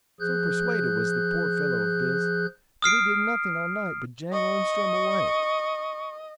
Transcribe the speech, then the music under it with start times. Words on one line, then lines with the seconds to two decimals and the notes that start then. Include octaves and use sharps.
So persuaded was the poor fellow of this, that he did nothing all night but jangle and strum away.
0.20 F3 G#4 F#6 G6
2.82 D#6 F6 C7 D7
4.33 D#5 C#6